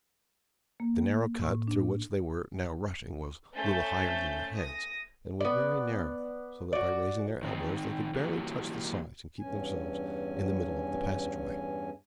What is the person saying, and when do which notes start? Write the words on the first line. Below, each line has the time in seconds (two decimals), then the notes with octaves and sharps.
The narrow cut through which they were now rushing was little higher than their heads, and was very narrow, so that by raising their elbows they could barely touch the sides and keep themselves in the middle of the passage way.
0.80 A#3
1.42 A2
1.68 D4
3.54 A3 C#4 C5 G6 A6
4.56 D#6 A#6
5.40 B3 D5
6.73 F#4 D5
7.43 D#3 C4 D#4
8.15 E3 F#3 A#3 E4 F#4 G4
9.40 E2 G2 C#4 G#5